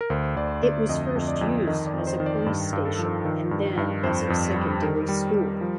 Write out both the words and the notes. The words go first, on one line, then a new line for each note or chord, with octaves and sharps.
It was first used as a police station and then as a secondary school.
A#4
D2 C5
D2 D5
D2 D5
F2 D#5
F2
D5
F2
D#3 D#5
D5
F2
C5
D#3
D5
G2
G2
A4
F3
D#3
G2
G2
F2 C5
F2
G3
D#3 A#4
G3
G3
F3